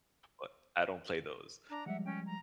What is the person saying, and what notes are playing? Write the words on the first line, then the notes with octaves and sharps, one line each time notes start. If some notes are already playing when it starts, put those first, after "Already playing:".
but I don't play those,
D4 A#5
F3 G3 G#3 E5 F#5
C#4 G5
A#5